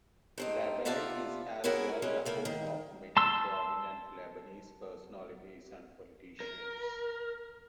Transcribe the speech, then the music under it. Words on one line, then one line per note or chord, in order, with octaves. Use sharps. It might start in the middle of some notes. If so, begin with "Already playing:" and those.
Rabieh is as well the home of many prominent Lebanese personalities and politicians.
G2 C4 D#4
C3 B3 F4 D5 E5 A5
B3 C#4 E4 F#4 G#4 A#4
G3 G#3 A#3 C#4
C#3 A3 A#3
D#3
A5 C6 E6
A#4